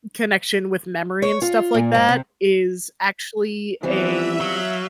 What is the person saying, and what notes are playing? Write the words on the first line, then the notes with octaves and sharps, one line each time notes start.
connection with memory and stuff like that is actually a
C#5
F4
A#2
G#2
C3
E3 F3 G3 B3 C4 E5
F#3 F5